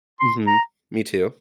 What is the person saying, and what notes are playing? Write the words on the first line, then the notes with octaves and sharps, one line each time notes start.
Mhm. Me too.
C6
A#5